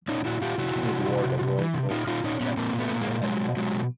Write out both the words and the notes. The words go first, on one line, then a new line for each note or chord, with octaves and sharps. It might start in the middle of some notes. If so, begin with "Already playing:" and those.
The King has awarded a royal trophy to the championships for adult bands.
A#2 C#4 D#4
A#2 E4 F#4
A#2 F4 G4
C3 E4 F#4
C3
C3
C3
C3
C3
E3
C3
A#2 D#4 F4
A#2 D#4 F4
A#2 C#4 D#4
A#2 B3 C#4
A#2 A#3 C4
A#2
A3 B3
A#2
G#3 A#3
A#2
B2 F#3 G#3
B2
B2 F#3 G#3
B2